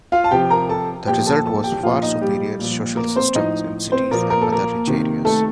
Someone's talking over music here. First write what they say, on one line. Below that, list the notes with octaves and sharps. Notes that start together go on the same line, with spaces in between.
The result was far superior social systems in cities and other rich areas.
F4 F5
A5
C3 F3 G4 G5
A#4 A#5
A4 A5
A#2 F3 G4 G5
A4 A5
A4 A5
G4 G5
A#2 F3 F4 F5
D#4 D#5
G3 G4
A#2 F3
A#3 A#4
C4 C5
A2 F3 D#4 D#5
C4 C5
A#2 F3 A#3 A#4
A#4
A4
A#3 A#4
C3 D#3
A3 A4